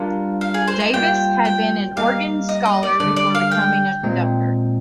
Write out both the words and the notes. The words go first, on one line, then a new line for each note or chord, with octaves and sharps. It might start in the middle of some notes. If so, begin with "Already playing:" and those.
Davis had been an organ scholar before becoming a conductor.
Already playing: G3 D4 F4 A#4 F5
F5
G#4
C5
D#5
G3 A#3 F4 G5
G5
G3 A#3 D#4 G4 F5
D#5
D#5
D5
D3 G3 D4 D5
D5
F5
G5
A#2 G#3 C4